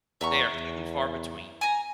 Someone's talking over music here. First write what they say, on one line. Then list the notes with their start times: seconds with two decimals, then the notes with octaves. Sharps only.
they are few and far between.
0.21 E2 E5 A#5 C#6
0.51 E2
1.61 G#5 A#5